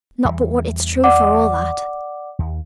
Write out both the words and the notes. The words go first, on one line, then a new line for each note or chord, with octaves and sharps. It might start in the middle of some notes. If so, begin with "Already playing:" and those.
Not but what it's true for all that.'
E2 E3 G3
D5 F#5 D6
D#2